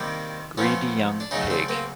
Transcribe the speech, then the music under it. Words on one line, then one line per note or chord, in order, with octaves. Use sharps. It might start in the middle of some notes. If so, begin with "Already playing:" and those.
Greedy young pig.
Already playing: C3 D#3 G3 A#3 C4
C3 F3 A3 B3 C#4
D4
C#3 F#3 A3 C#4 D#4
C4 D4
A#3 C4